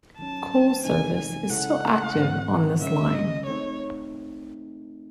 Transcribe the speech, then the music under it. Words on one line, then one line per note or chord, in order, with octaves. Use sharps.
Coal service is still active on this line.
D#3 F#3 C#4 A5
C3 E3 G#3 C4 D#4 G#5
G#5
C#3 G#3 C#4 E4 A4 F#5
G#2 E3 A3 C4
C#3 G#3 C#4 E5
D#5
D#3 A3 C4 D#4 C#5